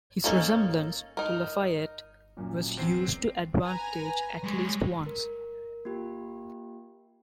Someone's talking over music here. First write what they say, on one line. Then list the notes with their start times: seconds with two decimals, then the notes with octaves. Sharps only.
His resemblance to Lafayette was used to advantage at least once.
0.24 A#3 C#4 D#4 A4
1.17 D#4 A#4
2.37 F#2 A#2
2.77 E2 C4 C7
3.63 B4 G#5 A#5
4.44 G3 G#3 C#5
5.06 A#4
5.85 A#3 F4 G4